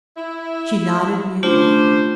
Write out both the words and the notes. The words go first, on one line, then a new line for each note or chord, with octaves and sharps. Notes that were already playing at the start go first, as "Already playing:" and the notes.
She nodded mutely.
E4
C#3 A3 D4 F4 G4 C5